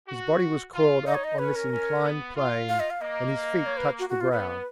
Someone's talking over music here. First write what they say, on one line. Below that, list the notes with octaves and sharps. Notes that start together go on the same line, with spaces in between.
His body was coiled up on this inclined plane and his feet touched the ground.
F#4
F4
D#4 D#5
C#5
D#5
C#4 B4
A#4
C#4
B3
F4
F5
D#5
F5
A#3 D#5
C#5
B4
F#4
F#4
F4
B3 B4